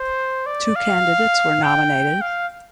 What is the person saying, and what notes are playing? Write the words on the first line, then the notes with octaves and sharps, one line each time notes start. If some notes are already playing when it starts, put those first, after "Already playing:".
Two candidates were nominated.
Already playing: C5
D5
F5
G5
F5